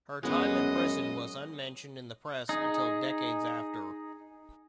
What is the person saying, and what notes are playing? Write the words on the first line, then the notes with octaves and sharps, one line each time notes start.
Her time in prison was unmentioned in the press until decades after.
F#2 G#3 B3 D#5
D#4 G#4